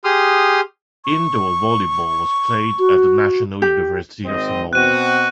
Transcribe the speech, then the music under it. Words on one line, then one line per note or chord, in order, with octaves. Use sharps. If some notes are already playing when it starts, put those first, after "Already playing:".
Indoor volleyball was played at the National University of Samoa.
G4 G#4 C6 D#6 F6
C#6
F#4
G4
G#1 C4 D#5
B2 C4 F#4 F#6 D#7